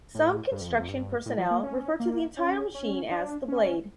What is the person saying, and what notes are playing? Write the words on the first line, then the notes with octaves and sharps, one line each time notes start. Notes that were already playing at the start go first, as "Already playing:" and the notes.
Some construction personnel refer to the entire machine as "the blade".
A2
G2
F2
E2
F2
G2
A2
F3
A#3
C#4
A#3
C#4
C#4
D4
C#4